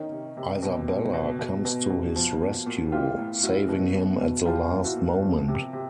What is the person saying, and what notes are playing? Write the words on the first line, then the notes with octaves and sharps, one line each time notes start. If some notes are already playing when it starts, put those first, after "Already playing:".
Isabella comes to his rescue, saving him at the last moment.
Already playing: D#3 C#4 D#4
C3
C3
B2
B2
B2
B2
B2
B2
F3
A#2
A#2
E3 F4 G4
A2
A2 E4 F#4
B2
B2
B2
F3 F4 G4
A#2
E4 F#4
A#2
F3
C3
C3